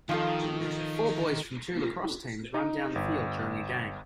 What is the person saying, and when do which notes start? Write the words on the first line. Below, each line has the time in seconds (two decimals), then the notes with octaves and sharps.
Four boys from two lacrosse teams run down the field during a game.
0.09 D#3 F3 F4 A4
2.54 D#4
2.95 G1